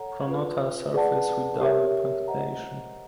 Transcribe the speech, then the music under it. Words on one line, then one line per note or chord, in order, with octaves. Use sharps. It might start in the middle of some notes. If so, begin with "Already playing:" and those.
Pronotal surface with double punctation.
Already playing: A4 C#5 F#5 A#5
F4 G#4 B4
G#4 B4 D5 F#5 A5
G4 A#4 C#5 E5
C5 D#5 F#5 A#5